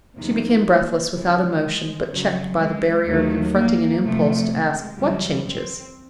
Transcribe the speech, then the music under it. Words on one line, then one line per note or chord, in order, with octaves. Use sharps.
She became breathless, without emotion, but checked by the barrier confronting an impulse to ask, what changes?
E2 C3 D#3 F#3 A#3
F#2 C#3 E3 G#3
F2 C#3 F#3
G#3
D#2 D#3 F#3 A3
A#3
F2 C3 F3 A3
G#3
E2 C#3 F#3 G3
C4